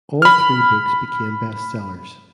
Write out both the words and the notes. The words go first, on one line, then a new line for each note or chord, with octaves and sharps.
All three books became bestsellers.
B5 F6